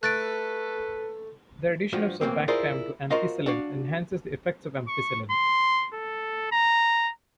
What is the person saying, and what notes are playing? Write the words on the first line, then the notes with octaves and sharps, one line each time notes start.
The addition of sulbactam to ampicillin enhances the effects of ampicillin.
A3 A4 B4 F#6 A6 D7
G2 F3 F#4
A2 E3 A#3 C4
E4 F4 G#4 A#4 C5 D5
F4 F#4 A#4 C5 D#5 F5
D4 F#4 F5
C#6
C6
A4
A#5